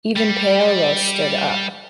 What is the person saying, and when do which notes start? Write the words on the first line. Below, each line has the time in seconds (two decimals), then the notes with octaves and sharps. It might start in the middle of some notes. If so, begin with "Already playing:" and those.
Even Paolo stood up.
0.16 G3